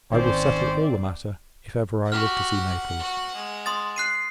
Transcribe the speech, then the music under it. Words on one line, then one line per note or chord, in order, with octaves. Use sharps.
I will settle all the matter, if ever I live to see Naples.
G#1 D#3 C4 C#4 C5 D5
F#4 G4 F#5 F6
F#4
G#3
C6 D#6 A6
F#6 C7 D#7